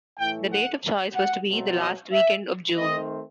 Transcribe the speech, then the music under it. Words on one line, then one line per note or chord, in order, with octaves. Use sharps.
The date of choice was to be the last weekend of June.
A2 E3 A3 G5
F#5
F#5
B2 F#3 A3 C4
D#5
E5
D#3 A3 C4 D#5